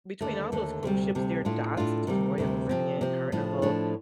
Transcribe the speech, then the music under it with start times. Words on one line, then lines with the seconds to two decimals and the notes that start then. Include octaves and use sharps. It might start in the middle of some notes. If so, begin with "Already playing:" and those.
between all those cruise ships, they're docked, such as Royal Caribbean, Carnival,
0.21 D#2 D3 A3
0.52 D#2 D3 A3
0.83 D2 C3 G3
1.15 D2 C3 G3
1.45 A2 A3 D4 F4
1.77 A2 A3 D4 F4
2.07 D2 C3 D#3 G3
2.38 D2 C3 D#3 G3
2.69 C3 F3 C4
3.01 C3 F3 C4
3.32 A2 F3 A3 D4
3.62 A2 F3 A3 D4